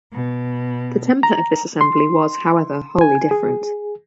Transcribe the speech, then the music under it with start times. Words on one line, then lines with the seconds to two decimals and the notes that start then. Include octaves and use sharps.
The temper of this assembly was, however, wholly different.
0.13 B2
1.23 A#5
1.81 C6
3.01 G#5
3.31 G#4